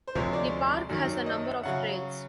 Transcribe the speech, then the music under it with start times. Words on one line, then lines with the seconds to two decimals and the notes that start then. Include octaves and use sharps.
The park has a number of trails.
0.07 C5
0.15 D2 C3 F3 G#3 C#5
0.33 D5
0.89 F#2 D#3 F#3
1.26 D#5
1.45 E5
1.63 C#3 F#3 F#5